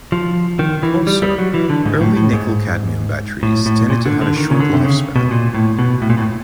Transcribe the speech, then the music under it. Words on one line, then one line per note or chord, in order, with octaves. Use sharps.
Also, early NiCad batteries tended to have a short lifespan.
F3
D#3
E3
G3
G3
F#3
E3
D3
G#2
A2
A2
G#2
A2
A2
A#2
D3
D3
D#3
C#3
D3
C3
C#3
B2
A#2
A2
B2
A2
A#2
A2